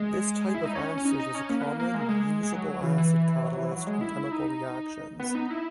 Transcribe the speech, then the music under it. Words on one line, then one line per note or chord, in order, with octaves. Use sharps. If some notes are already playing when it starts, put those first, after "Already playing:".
This type of acid is a common re-usable acid catalyst in chemical reactions.
Already playing: G#3
E4
D#4
C#4
C#4
D#4
D#4
C#4
A#3
B3
A#3
A#3
G#3
A#3
G#3
G#3
F#3
E3
E3
F#3
E3
F#3
G#3
E4
D#4
B3
D#4
E4